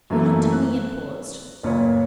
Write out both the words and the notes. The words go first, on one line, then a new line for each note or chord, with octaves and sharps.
He looked at me and paused.
F#2 E3 A3 A#3
F#6
F#1 A#2 B4 C#5